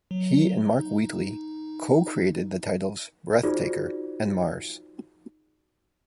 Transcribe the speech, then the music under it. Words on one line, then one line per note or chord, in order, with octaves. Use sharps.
He and Mark Wheatley co-created the titles "Breathtaker" and "Mars".
F#3
D#4
D#4 F4 F#4 G#4 C5 D5